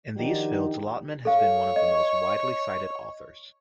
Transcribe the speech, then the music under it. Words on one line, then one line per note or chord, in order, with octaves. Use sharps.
In these fields, Lotman has been one of the most widely cited authors.
D#3 F3 D4 D#4 F#4 G4
A4 C#5 F5
D#5